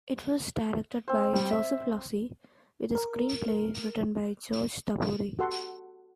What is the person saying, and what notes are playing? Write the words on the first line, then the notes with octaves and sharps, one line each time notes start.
It was directed by Joseph Losey, with a screenplay written by George Tabori.
C4 C5
G3
E5
A#4
F#4 G4 A4 F#5 C6